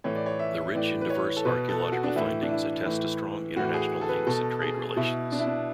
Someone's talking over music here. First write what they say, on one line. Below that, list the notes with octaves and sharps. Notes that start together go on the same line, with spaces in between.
The rich and diverse archaeological findings attest to strong international links and trade relations.
A2 E3 C#5
D5
C#5
E5
A2 E3 D5
B4
C#5
A4
B2 B4
A4
F#4
D4
A2 E3 E4
D4
E4
A2 E3
A2 E3 F#4
G#4
A4
B4
B2 A4
G#4
B2 E4
D4
E4
D4